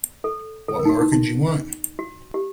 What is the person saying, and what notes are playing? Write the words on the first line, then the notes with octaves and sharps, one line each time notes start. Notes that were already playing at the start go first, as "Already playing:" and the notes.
What more could you want?
A4
A4
A#4
D#4
F#4
D#4
D#4
F#4
G4